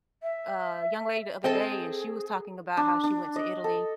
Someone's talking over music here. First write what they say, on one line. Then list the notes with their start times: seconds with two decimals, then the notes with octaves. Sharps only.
a young lady the other day, and she was talking about how she went to Italy.
0.22 E5
1.44 C4 G#4 A4 D#5 G5
2.77 D4
3.04 D4
3.36 D#5
3.64 A4